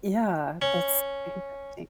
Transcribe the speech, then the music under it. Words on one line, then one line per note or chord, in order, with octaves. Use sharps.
Yeah, that's interesting.
C#4